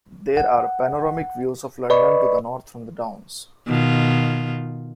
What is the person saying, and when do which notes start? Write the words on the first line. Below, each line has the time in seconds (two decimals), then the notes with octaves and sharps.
There are panoramic views of London to the north from the Downs.
0.37 F#5
1.90 B4 D5 D#5 B5 C#6
3.67 B2 D#3 F4